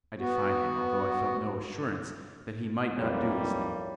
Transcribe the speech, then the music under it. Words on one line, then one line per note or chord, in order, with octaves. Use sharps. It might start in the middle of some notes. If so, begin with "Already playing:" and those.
I defied him, although I felt no assurance that he might not do this thing.
B3 F#4
B1 F2 G3 A#3 E4 C#5